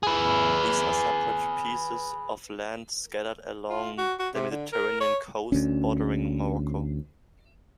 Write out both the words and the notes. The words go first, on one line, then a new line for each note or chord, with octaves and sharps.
These are separate pieces of land scattered along the Mediterranean coast bordering Morocco.
G#4 B4
F4
F#4
F#4
C3
D3
A#4
C#5
D2 C#4